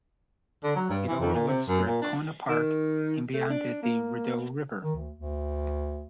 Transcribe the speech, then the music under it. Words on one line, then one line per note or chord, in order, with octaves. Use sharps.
It overlooks Strathcona Park and beyond it the Rideau River.
D3
F#3
G2
E3
F2
A#2
C3
F#2
A#2
D4
D#3
A3
D4
A#3
D#3
D2
D2